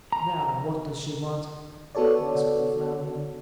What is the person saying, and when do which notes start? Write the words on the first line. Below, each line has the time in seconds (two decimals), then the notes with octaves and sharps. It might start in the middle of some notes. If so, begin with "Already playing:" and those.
"Now, what does she want?" asked the flounder.
0.12 A#5
1.95 B3 F#4 A4 C#5 D5